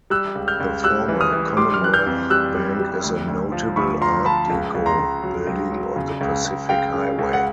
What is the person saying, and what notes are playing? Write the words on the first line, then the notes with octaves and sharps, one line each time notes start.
The former Commonwealth Bank is a notable art deco building on the Pacific Highway.
G3 E6 F#6
C#2
F6 G6
C#2
G3 E6 F#6
E3
D#6 F6
E3
G3 C6 D6
F6
E3 F#6
F6 G6
F2
G3 E6 F#6
G3
G3
D2
D2
F3
D2 B5 C#6
F3 A#5 C6
F3 A5 B5
C#2
C#2
A#5 C6
C#2
F#3
C#2
F#3
C#3
C#2
C#2
C#2 F5 G5
C#3
C#2
F#5